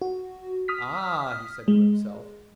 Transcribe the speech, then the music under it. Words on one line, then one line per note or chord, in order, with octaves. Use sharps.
'Ah!' he said to himself.
F#4
D#6 F6 B6
G#3